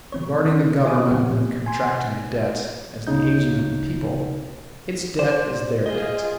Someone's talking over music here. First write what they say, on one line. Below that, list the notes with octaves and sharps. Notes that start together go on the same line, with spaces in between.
Regarding the Government when contracting a debt as the agent of the people, its debt is their debt.
E3 C4 C#5
D#3 C#4
F4 D#5 G#5 D6 D#6
A#2 C#3 F3 B3 C4 G4
G#5 C6
D2 C#3 D#4 G6
C5 D5
F4 G#4 D#5